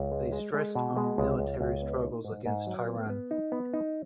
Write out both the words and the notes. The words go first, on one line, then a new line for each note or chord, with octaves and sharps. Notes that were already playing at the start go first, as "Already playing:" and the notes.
They stressed on military struggles against Tehran.
Already playing: C#2
G#3
G#3
G#3
B2
G#3
C#2
C#2
C#2
B3
D#4
G#2
G#2
F#3
B3
B3
D#4
B3
D#4